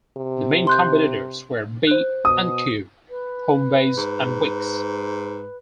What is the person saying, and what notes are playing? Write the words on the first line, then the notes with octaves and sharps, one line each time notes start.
The main competitors were B and Q, Homebase and Wickes.
C3
C6 F#6 G6
C5 F#6
B2 D#6
B4
G#2